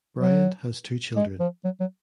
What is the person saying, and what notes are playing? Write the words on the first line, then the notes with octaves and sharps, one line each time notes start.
Bryant has two children.
F#3
G#3
F3
F#3
F#3